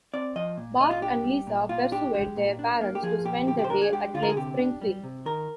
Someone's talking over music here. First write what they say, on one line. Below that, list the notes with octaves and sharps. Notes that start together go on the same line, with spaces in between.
Bart and Lisa persuade their parents to spend the day at Lake Springfield.
C4 D5
F3 D#5
A#2
A#2 D#5
F4
D4 G4
G3
A#2
A#2 F4
D4 G4
G#3 G4
A#2
D4
A#3
G4
F3 G#4
A#2 G4
D3 G4
G4
C5
D4 A#4
G#4
G#3 G4
D3 F4
A#4
G#4
C3 G4
D4
G3
C3
D#3 A#4